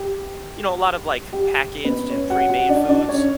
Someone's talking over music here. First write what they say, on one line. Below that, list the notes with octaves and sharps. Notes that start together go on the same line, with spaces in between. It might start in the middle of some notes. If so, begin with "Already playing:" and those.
you know, a lot of, like, packaged and premade foods,
Already playing: G4
G4
B3 B4
C#4 C#5
F#4 F#5
F#4 F#5
D4 D5
D4 D5
C#4 C#5